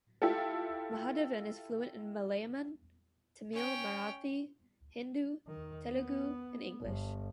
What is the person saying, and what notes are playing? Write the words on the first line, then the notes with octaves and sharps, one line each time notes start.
Mahadevan is fluent in Malayalam, Tamil, Marathi, Hindi, Telugu and English.
E4 F4 G4 A4
C#4 G5
D#3
B3
G1